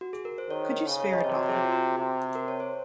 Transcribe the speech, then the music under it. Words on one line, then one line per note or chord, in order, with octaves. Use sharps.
Could you spare a dollar?
F#4
G#4
A#4
C5
D#3 C#5
C#3 C#5
C#5
D#5
C3 C#5
F#4
G#4
F#4
F4
F#4
C3
A#4
C#5
C5